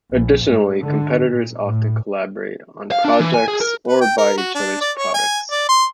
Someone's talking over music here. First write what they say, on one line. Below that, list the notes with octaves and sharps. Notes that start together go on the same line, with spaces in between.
Additionally, competitors often collaborate on projects, or buy each other's products.
A#1
G#2
D3
A#2
A2
F5
D4
E3
G#5
G#4
A#4
B4
G5
A#4
F#4
D4
D5
C#5
G#5
D5
C6